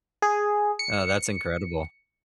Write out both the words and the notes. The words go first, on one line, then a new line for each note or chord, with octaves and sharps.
Oh, that's incredible.
G#4
C#7